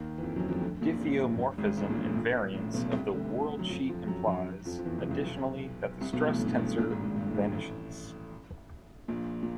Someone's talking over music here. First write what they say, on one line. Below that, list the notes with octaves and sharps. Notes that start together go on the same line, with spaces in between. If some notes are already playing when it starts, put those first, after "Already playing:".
Diffeomorphism invariance of the worldsheet implies additionally that the stress tensor vanishes.
Already playing: D#2 D#3
E3
F2 F3
F#2 F#3
F2 F3
D2 D3
A#1 A#2
G#1 G#2
F#2
G2
G#1 G#2
A1 A2
A#1 A#2
A1 A2
A#1 A#2
A1 A2
B1 B2
C2 C3
D2 D3
F#3
F2 F3
F2 F3
F#2 F#3
F#2 F#3
F2 F3
F3
E2 E3
C2 C3
C#3
C2 C3
B1 B2
C2 C3
B1 B2
A1 A2
G2
B1 B2
A#1 A#2
G#1 G#2
G#1 G#2
G2
A2
G#1 G#2
A1 A2
A#1 A#2
A#2